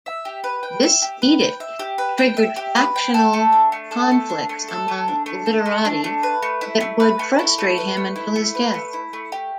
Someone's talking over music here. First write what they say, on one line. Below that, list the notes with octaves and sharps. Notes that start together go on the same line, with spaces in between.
This edict triggered factional conflicts among literati that would frustrate him until his death.
E5
G4
B4
G5
E5
G4
B4
G5
E5
G4
B4
G5
E5
G4
B4
G5
A4
A3
D4
A3
A4
A3
D4
A3
A4
A3
D4
A3
A4
A3
D4
A3
B4
A3
E4
A3
B4
A3
E4
A3
B4
A3
E4
A3
B4
A3
E4
A3
G4